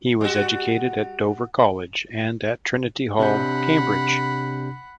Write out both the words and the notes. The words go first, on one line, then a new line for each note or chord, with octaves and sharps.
He was educated at Dover College and at Trinity Hall, Cambridge.
G3 F#4
C3 D4 F#5 B5 G6